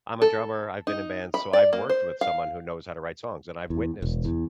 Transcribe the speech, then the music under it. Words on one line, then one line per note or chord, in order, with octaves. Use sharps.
I'm a drummer, I've been in bands, so I've worked with someone who knows how to write songs and I've witnessed
A4
D#4
B5
D5
A#3
C5
F5
E2
E1
E2